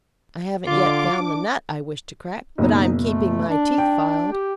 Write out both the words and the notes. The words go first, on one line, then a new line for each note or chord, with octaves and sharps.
I haven't yet found the nut I wish to crack, but I'm keeping my teeth filed.
D3 F4 D6
D4
F#1 B2 D#4
A3
D4
G5
G4